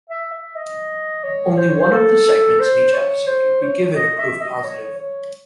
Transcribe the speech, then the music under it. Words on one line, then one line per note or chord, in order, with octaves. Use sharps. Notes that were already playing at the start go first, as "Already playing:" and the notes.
Only one of the segments in each episode would be given a proof positive.
E5
E5
D#5
C#5
C5
C#5
C5
A4
A4
C5
C#5
C5
C#5
D#5
E5
D#5
C#5
C#5